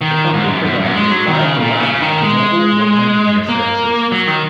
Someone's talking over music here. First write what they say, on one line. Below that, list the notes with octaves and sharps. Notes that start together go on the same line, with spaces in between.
The company provides a wide variety of mobile multimedia services.
D#3
G#2
F#2
F#2
F#2
G#3
F#3
D#3
C#3
A#2
C#3
D#3
G#3
A#3
F#3
D#3